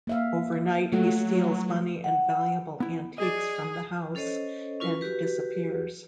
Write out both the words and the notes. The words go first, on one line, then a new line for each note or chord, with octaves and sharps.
Overnight he steals money and valuable antiques from the house and disappears.
A#3 E5 F5
F#3 A3 F4 F#5
F#5
B3 E4
G#4 D5 D#5
C#4 A4 C5 C#5 D#5
C#4 E4 F4 A#4 B4
F#4 G4 B4